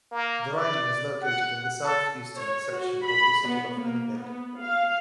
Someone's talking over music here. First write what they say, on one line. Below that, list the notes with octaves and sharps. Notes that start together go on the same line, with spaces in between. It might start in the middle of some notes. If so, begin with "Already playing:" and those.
The riding is located in the southeastern section of the City of Winnipeg.
A#3
D5
F#5
A4
C#5
F#4
B5
B3
A#3
B3
F5